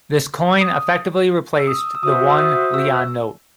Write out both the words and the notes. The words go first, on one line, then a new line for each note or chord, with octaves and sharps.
This coin effectively replaced the one leone note.
D#6
E6
D#6
E6
F#4 C5 E5 D#6
E6
D#6
E6